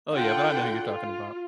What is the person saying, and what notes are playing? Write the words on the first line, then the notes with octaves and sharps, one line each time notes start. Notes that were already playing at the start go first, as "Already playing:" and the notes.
Oh, yeah, but I know who you're talking about.
D3 F4 F#5 G5
F4